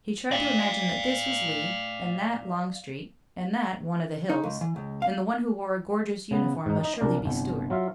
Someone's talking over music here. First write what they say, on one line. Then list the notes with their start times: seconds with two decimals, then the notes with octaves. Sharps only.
He tried to imagine that this was Lee and that Longstreet, and that one of the Hills, and the one who wore a gorgeous uniform must surely be Stuart.
0.31 D5 F5
4.30 D#4
4.44 C#2
4.61 E3
4.76 C#2
5.02 F5
6.31 C#3 B3 B4
6.66 G#2 D#4
6.81 D#4 D#5
7.00 C2 D4 A#4 D5
7.25 G1 C2
7.70 F#3 F4 E5 F5